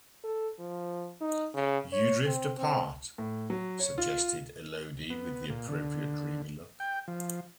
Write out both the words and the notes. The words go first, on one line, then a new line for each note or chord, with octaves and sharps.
"You drift apart," suggested Elodie with the appropriate dreamy look.
A4
F3
D#4
C#3
C#5
C4
C4
A2
F#3
C#5
F4
B3
A#2
D3
G5
F3